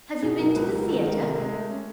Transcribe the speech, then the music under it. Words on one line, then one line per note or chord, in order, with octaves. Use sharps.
"Have you been to the theatre?"
B2 G#4
F#3 A#4
C#2 B4
F#3 A#4
D#3 A4
A4
D#3 A#4
C3
A4
G#3 A#4
A3 A4
C#4